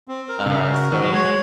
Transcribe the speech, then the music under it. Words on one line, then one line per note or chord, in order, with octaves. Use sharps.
Uh, so
C4
A#4
C3
C#3 A#4
F#4
D#3 F#4
F#3
G#3 C#5
G#3